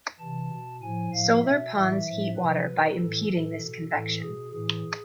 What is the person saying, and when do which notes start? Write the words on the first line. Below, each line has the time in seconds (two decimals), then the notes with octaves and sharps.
Solar ponds heat water by impeding this convection.
0.19 C3 E3 A5
0.51 B2
0.81 A2 F3 G#5
1.12 A2 F3 F5
1.43 B2 E5
1.74 A2 E3 E5
2.06 A2 F3
2.36 C3 F3 B4
2.67 B2
2.98 A2 E3 A4
3.29 A2 E3 A4
3.60 B2
3.91 A2 E3 A4
4.22 B2 G#4
4.53 A2 E3 G#4